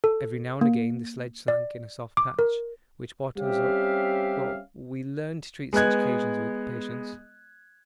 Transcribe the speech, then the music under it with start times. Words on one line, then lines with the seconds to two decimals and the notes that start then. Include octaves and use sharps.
Every now and again the sledge sank in a soft patch, which brought us up, but we learned to treat such occasions with patience.
0.04 A4
0.61 A#3
1.48 D5
2.17 D6
2.39 A#4
3.37 G3 C4 C#4 G4 E5 F5
5.73 G#3 B3 D#5 F#6 G#6